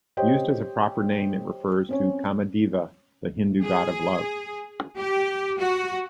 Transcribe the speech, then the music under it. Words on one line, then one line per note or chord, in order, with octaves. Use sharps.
Used as a proper name it refers to Kamadeva, the Hindu god of Love.
G4 C5 C#5 D#5 G5
C4 C#4 C#5
G#4
G4
F#4